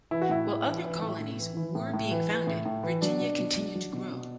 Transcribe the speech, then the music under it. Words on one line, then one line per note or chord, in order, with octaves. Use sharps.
While other colonies were being founded, Virginia continued to grow.
E3 E4
F#4
A2 E4
A2
E3
E3
A2
A2
E3
E3
A2
A2
E3
E3
A2
A2
E3
F#3 D4
B2
B2
F#3
F#3
B2
B2